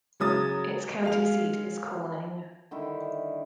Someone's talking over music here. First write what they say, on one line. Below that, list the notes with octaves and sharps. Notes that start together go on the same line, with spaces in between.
Its county seat is Corning.
C#3 F#3 D#6 A6
G#3 F5 F7
D3 D#3 G3 E4